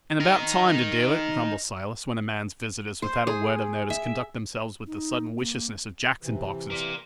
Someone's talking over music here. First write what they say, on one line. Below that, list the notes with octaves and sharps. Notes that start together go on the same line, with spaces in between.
'And about time to do it,' grumbles Silas, 'when a man's visitors, without a word of notice, conduct themselves with the sudden wiciousness of Jacks-in-boxes!
D#4 A#4
C5
G#4
E5
D#4
A#3
C3 E3
A#4 D5